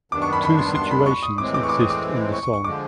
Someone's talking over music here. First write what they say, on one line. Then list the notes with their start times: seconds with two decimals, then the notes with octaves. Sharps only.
Two situations exist in the song.
0.12 F#2 D#3 G3 B3 D4 D6
0.22 C#6
0.33 B5
0.44 B5
0.59 C6
0.75 C6
0.91 B5
1.06 C#6
1.23 D#6
1.38 A2 E3 G#3 C4 D6
1.54 D6
1.63 C#6
1.69 D6
1.80 D#6
1.90 D6
2.33 C#6
2.43 C#6
2.53 C#6
2.64 D3 F3 G#3 D6